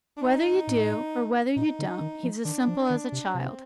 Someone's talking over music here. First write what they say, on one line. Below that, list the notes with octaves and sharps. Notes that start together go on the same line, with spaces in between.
Whether you do or whether you don't, he's as simple as a child.
D4
D#4
A2
A#2 D#4
D3
D#3
F3
D#3 D4
F3
D#3
C3
D4
C3 C4